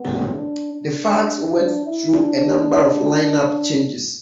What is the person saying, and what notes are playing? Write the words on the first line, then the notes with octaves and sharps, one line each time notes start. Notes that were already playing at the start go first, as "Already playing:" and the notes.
The Fugs went through a number of lineup changes.
Already playing: B3
D4
D4
D4
E4
D4